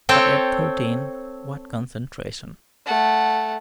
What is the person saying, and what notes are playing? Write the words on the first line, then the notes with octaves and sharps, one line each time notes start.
But at thirteen--what concentration!
C4 A4 C#5 G5
A3 F#5